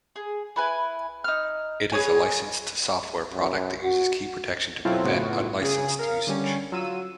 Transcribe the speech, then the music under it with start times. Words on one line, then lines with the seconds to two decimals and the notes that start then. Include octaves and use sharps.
It is a licensed software product that uses key protection to prevent unlicensed usage.
0.16 G#4
0.56 E4 B4 G#5
1.24 D#4 F6
1.92 G#4 B4 C#5 G#5
3.33 F#2
3.82 F#4
4.85 B2 F#3 C4 E4 F4 A4
5.03 A2 C#3 B3 F4 F#4
5.62 C#3 G#4
5.99 A#4 F5
6.27 D3 G3 C#4
6.72 F#3 F4 E6 D#7